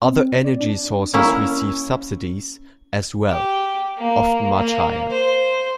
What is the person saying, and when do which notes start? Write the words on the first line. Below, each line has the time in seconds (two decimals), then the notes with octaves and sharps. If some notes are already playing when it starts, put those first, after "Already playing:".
Other energy sources receive subsidies as well, often much higher.
0.03 C4
0.44 D5
0.60 D4
1.14 A#3 C#4 E4
3.29 G4
3.98 A#3
4.57 A#3
5.11 C5